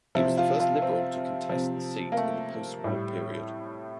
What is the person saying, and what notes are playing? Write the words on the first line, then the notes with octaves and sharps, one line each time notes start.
He was the first Liberal to contest the seat in the post-war period.
C3 F3 E4
F4
F4
C4
C3 F3
A#3
A3
A2 G3